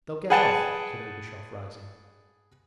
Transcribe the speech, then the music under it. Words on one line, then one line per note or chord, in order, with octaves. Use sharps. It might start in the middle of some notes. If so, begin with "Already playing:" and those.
They'll get off,' said Ergushov, rising.
G#4 B4 F#5 G5 A5